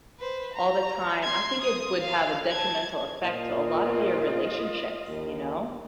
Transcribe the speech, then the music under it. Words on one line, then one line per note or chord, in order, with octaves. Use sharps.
all the time, I think it would have a detrimental effect to a lot of your relationships, you know,
B4 C5
A#5
C6 G#6
D#6
F5
A5 G#6
A#2 F4 D#5
D#2